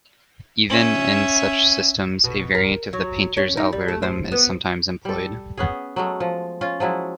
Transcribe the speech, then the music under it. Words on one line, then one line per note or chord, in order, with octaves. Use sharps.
Even in such systems, a variant of the painter's algorithm is sometimes employed.
C#4 E5
B2
A#4
F#3
C#4
D#4
G3
A3
C5
B3
G3 A4
B3 C#4 G#4
F#3 G#3 A3
F3
C#4 F4
F3 F#3 G#3 E4